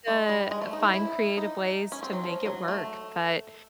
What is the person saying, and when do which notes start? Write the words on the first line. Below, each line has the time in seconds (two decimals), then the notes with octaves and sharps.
the uh, find creative ways to make it work, but
0.08 G#3
0.29 G3
0.51 G#3
0.61 A3
0.73 D#4
0.83 E4
0.94 E4
1.37 D#4
1.92 C#4
2.03 C4
2.13 F#3
2.24 F3
2.46 F#3
2.68 A3